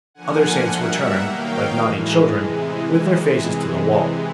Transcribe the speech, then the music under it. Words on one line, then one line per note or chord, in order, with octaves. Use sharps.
Other saints were turned, like naughty children, with their faces to the wall.
D3 F3 A#3 F#5 G#5
B2 G3 A#3 E5 F#5
D#3 F#3 A#3 F5 G5
A2 E3 G#3
C3 E3 G#3